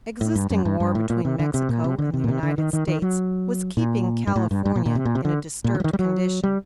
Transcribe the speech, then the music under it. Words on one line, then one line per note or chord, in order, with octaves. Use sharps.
Existing war between Mexico and the United States was keeping California in a disturbed condition.
A2
G2
F#2
G2
G2
A2
A#2
C3
D3
C3
A#2
C3
D3
C3
A#2
C3
D3
D#3
D#3
D#3
F#3
A#2
G2
A2
G2
G2
A#2
A#2
C3
A#2
C3
D3
A#2
D3
F#3
D#3
G3
F#3
G3